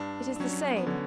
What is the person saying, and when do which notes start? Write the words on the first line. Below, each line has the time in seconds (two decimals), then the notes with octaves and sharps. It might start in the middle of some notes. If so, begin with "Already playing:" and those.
"It is the same."
Already playing: G2 D4
0.36 D4
0.40 F#3 C#4
0.76 B3
0.86 D3 C#4